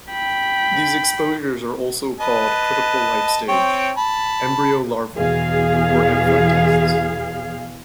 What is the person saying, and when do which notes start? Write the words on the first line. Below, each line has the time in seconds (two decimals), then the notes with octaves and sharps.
These exposures are also called critical life stage, embryo-larval, or egg-fry tests.
0.11 G5 B5
2.20 B4 D#5 A5
3.49 C4 C#5 G5
3.97 A5 B5
5.15 E2 B2 E3 G#4 F5